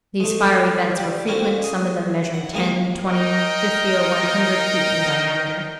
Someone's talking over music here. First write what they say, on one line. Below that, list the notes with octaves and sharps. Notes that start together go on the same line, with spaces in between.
These fiery vents were frequent, some of them measuring ten, twenty, fifty or one hundred feet in diameter.
G#3 A3
G4 D5
A3 A#3 C4 C#4 E4 F#4
G#4
F#5
C#2 C3 F3 G#3 A#3 A#5
D#4 A#4 D#5 G5